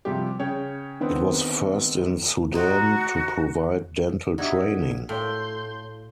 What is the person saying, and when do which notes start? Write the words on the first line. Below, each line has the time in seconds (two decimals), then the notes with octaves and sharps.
It was the first in Sudan to provide dental training.
0.05 C3 F3 G3 F4 G4
0.39 C#3 C#5 G5
1.00 D3 D#3 B3 C4
2.54 D#4 F#4 C5
4.38 D4 D#4 F#4 G4 D5 E5 G#6
5.09 A2 C#5 F5 G5 A5 C6 G6